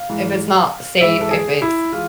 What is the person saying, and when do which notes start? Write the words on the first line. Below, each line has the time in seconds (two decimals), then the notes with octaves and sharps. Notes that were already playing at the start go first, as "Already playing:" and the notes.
if it's not safe, if it's
Already playing: F5
0.09 G#2 E3 G#3
1.01 G#2 E3 G#3 E5
1.21 A4
1.31 G#4
1.62 E4
1.92 E3 G#3 F4